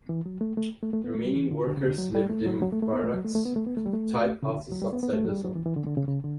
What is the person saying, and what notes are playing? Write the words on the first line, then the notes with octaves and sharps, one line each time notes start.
The remaining workers lived in barracks type houses outside the zone.
E3
F#3
A3
A3
A3
A3
B3
A3
G3
E3
D3
D3
C#3
D3
F#3
G3
A3
F#3
F#3
A3
A3
B3
A3
F#3
A3
A3
B3
A3
B3
A3
G3
A3
C#3
D3
F#3
G3
B3
B3
A3
F#3
G3
F#3
E3
E3
D3
D3
C#3
C#3
D3